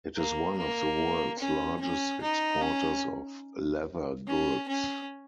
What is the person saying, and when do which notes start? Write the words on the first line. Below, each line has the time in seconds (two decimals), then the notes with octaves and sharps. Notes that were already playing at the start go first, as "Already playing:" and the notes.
It is one of the world's largest exporters of leather goods.
0.16 A#3
0.57 A#3
1.39 C#4
1.81 C#4
2.22 D#4
2.62 C#4
4.27 C#4
4.68 C#4